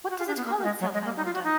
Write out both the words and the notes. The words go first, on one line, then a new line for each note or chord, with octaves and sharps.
What does it call itself, I wonder?
F#4
F4
D4
B3
A#3
A#3
G#3
F#3
G#3
A#3
D#4
F4
F#4
D#4